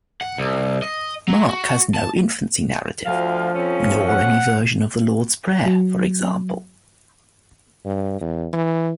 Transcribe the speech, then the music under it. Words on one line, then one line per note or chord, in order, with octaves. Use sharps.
Mark has no infancy narrative nor any version of the Lord's Prayer, for example.
F#5
C2
D#5
F#3
F#4
A5
D2 F3 F5
F2 C#4
F#5
F#3
G2
E2
E3